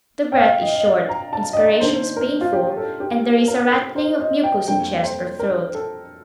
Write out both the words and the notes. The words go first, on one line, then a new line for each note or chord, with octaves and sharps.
The breath is short, inspirations painful, and there is a rattling of mucus in chest or throat.
G5
F5
D#5
D#5
D5
A#5
A5
D#5
D5
D#3 A#3 D4 C5
A#4
F4
G4
A4
G4
A#4
A#4
C5
D#5
G5
F2 D3 G3 A#3 G5
C5
A#4
A4